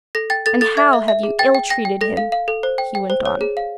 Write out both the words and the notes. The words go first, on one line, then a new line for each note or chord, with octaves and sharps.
'And how have you ill-treated him?' he went on.
A4 A#6
G5 A6
A4 A6
A4 A6
E5 G#6
E5
E5
G#4
G5 A6
G5
G5 A#6
G5
A4 A#6
F5
F5
A4
C5
G5
G5
C5
C#5
G#4
F5